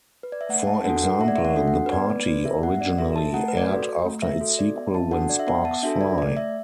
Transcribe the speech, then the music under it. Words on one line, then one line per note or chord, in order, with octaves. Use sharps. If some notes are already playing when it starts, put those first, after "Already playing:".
For example, "The Party" originally aired after its sequel "When Sparks Fly".
B4
D5
E5
A3 F#5
A5
D4 F#4 A4 F#5
F#5
A3 E5
D5
E5
F#5
D4 F#4 A4
F#5
B4
B3 D5
B4
F#4 A4 D5
E5
B3 F#5
D5
F#4 A4 E5
A5
A3 F#5
B4
D5
F#4 A4
A3
E5
F#4 A4
D5
B3 E5
A5
D4 F#4 A4 F#5
D5
E5
B3 F#5
A5
D4 F#4 A4 E5
D5
A3 D5
E5